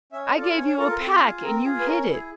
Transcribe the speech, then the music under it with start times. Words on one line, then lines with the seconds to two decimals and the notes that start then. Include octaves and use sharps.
I gave you a pack and you hid it.
0.12 C#4 E5
0.27 D#5
0.35 F4 A4
0.42 D5
0.56 C#4 C#5
0.67 C#5
0.78 F4 A4 A#4
0.89 A#4
0.99 C4 A4
1.21 F4 G#4
1.43 C4 A#4
1.65 F4 G#4
1.79 B4
1.86 C#4 A#4
2.08 E4 G#4